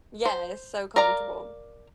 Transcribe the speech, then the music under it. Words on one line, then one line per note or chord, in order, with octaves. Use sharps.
Yeah, it's so comfortable.
C5
A#4 D5 F5 A#5